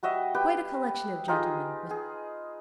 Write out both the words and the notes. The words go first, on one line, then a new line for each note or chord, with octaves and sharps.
Quite a collection of gentlemen--Mr.
G3 F#4 D#5 E5
G4 B4 G5
D#4 F4 G4 G#4
G#4